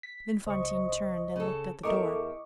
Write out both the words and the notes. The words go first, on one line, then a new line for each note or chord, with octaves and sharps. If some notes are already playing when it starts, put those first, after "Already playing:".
Then Fantine turned and looked at the door.
B6
C#2 C5 D#5 C#6
C#3 A4
E2 A4 A#4 D#5 E5 C#6 D6